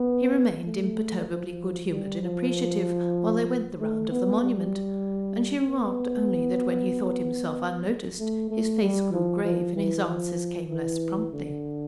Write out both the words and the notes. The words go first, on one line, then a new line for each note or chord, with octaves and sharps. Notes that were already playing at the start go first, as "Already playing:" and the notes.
He remained imperturbably good-humoured and appreciative while they went the round of the monument, and she remarked only that when he thought himself unnoticed his face grew grave and his answers came less promptly.
Already playing: B3
A3
F3
G3
F3
A3
B3
G3
B3
A3
A3
G3
F3
F3
E3
F3
E3
D3